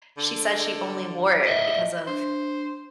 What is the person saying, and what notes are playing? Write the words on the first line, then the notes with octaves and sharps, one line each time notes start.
she said she only wore it because of, eh
D3
A2 D#5 E5
D4 C5